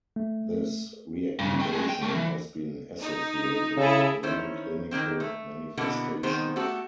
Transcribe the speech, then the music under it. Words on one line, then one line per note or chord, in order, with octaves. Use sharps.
This reactivation has been associated with many clinical manifestations.
A3
G2 C#3
A3 G5
A3 G#4
G5
A3 A#3
E3
D#4
C#3 E4 G#4 A4
D#3 C#4 E4 C5 C#5
D#3 E3 A#3 C4
A3
B2 D3 E3 A#3 B3
D#3 B3 C4 G#4 C5
A3 F#4 G4 A4